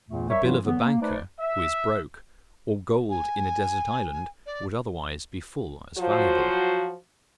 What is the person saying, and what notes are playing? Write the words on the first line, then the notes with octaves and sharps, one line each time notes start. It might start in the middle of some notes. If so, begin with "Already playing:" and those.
The bill of a banker, who is broke, or gold in a desert island, would otherwise be full as valuable.
E2 G2 A#2 E3 A3
G3 A#4 C#5 E5
G2 E3 F#3 B3 E4 F4
D3 E3 F#3 B3
A#3
A3 D#4 B4 C5 D5
E5
G#5
D5
F3 F#3 F4 F#4 C5